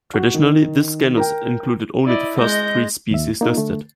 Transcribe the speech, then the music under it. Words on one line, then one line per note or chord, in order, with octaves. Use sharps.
Traditionally this genus included only the first three species listed.
F#4
D#3
A#4 G5
E4 D5 D#5
G#3 D#5 G6 A#6
D#2 E5
A#3 D#4 F4
D3 A3